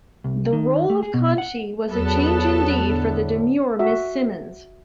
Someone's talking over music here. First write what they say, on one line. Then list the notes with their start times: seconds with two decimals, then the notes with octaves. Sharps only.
The role of Kanchi was a change indeed for 'the demure Miss Simmons.
0.24 C2
0.53 D#3
0.90 A3
1.03 G#4
1.14 B2
1.38 F#5
1.91 E2 F#3 B3 A4
2.87 A2 D3
3.79 F#4 E5